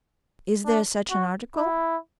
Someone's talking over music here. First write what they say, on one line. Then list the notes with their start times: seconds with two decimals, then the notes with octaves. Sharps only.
Is there such an article?
0.65 D4
1.10 F#4
1.56 E4